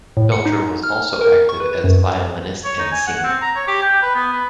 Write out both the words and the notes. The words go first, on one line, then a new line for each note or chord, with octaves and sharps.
Belcher was also active as violinist and singer.
A2
C#7
D#4
F6
A#4
C#6
B4
F#2
C#5
D#4
G#5
F#5
C4
A#5
C#5
G4
G5
B4
B3
B4